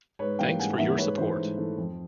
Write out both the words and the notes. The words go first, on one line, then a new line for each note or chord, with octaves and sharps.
Thanks for your support!
G#2 B4 C#5
E3 G3 A#3 F5 G5
G#2 F#5 G#5
E3 G3 A#3 E5 F#5
G#2 B4 C#5
E3 A3 C5
G#2
E3 A3
F2